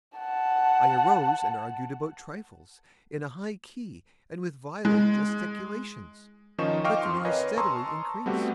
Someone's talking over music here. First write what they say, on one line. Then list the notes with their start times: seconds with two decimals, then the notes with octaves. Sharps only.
I arose and argued about trifles, in a high key and with violent gesticulations; but the noise steadily increased.
0.18 F#5 A5
4.85 G#3
6.58 D#3 F3 C#4 D#4 C#6 E7
6.84 D#5 F5 G5 C#6 D6 F6
7.03 F2 C6
7.25 A#4 B4 C#5 D#5 G#5
7.58 A5 A#5 C6 C#6 D#6 E6
8.26 G3 A3 B3 C4 F#4 G4